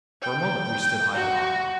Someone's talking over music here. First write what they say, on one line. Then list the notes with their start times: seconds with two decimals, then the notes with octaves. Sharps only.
For a moment we stood eye to eye.
0.22 G5
1.14 F#4